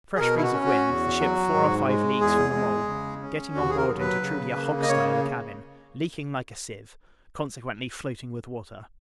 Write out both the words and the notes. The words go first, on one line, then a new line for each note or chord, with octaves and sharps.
Fresh breeze of wind, the ship four or five leagues from the mole; getting on board into truly a hog-stye of a cabin, leaking like a sieve, consequently floating with water.
G#4
B2 A#4
E4
F#4
C#4
F#4
E2
F#3
G#2
G#3
E2 G#4
G#3
C#3
C#4
D#2 F#4
G#4
A#4
F#3
B4
C#3
A#3
D#5
C#3 C#5